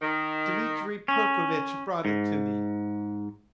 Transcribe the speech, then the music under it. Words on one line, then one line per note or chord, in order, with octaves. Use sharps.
Dmitri Prokofitch brought it to me.
D#3
C#4
G#2